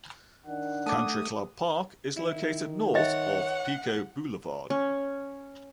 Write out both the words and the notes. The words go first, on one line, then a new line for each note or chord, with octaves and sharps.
Country Club Park is located north of Pico Boulevard.
D#3 D4 F#5
A3 A5 D6 D#6
D#3 E4
C#5 D#5 E5 F#5
C#4